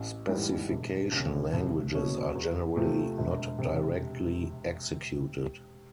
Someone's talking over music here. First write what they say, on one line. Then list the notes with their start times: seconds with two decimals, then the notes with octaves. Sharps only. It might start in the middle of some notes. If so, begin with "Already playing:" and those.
Specification languages are generally not directly executed.
Already playing: A1
0.29 G#2 E3 G3
0.71 E1
1.11 D#2 C#3
1.53 C2
1.94 B2 F#3 A#3 C#4
2.35 E2
2.76 C3 F3 A3
3.18 E1
3.58 C3